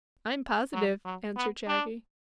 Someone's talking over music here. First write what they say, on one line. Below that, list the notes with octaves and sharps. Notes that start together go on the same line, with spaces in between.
"I'm positive," answered Shaggy.
F#3
F#3
B3
D4